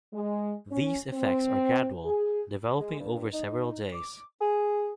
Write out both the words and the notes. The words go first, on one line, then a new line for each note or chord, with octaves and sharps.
These effects are gradual, developing over several days.
G#3
C#4
C4
G#4
G#3
G2
D#4
D6
G#4